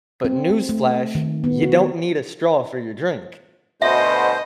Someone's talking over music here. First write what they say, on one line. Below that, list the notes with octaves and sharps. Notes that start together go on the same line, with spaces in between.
But, news flash, you don't need a straw for your drink.
C4
C4
A3
D#3
B3
F#4
D2 B2 C5 D#5 E5